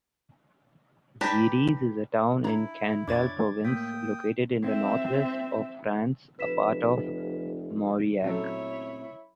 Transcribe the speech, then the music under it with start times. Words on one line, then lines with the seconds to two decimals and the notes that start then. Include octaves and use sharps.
Ydes is a town in Cantal Province, located in the Northwest of France, a part of Mauriac.
1.21 D4 G4 B4 A5 A#5
2.44 D4 E4 A#5 G#6
3.08 F2 D4 C#5 D6 G#6 A6
3.65 A2 A#3 G5 D#6
4.63 C4 E5
6.39 F1 B4 B6 E7
8.22 A#2 C#3 F#3 A3 C4 E4 A4 C#5